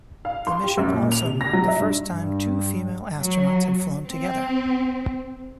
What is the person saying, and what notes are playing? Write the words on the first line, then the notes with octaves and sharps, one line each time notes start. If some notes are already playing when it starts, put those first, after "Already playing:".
The mission also marked the first time two female astronauts had flown together.
F5
C6
G4
F#2
A#2
F7
C3
A#6
F#3
E5
G2
G2
F#3
C4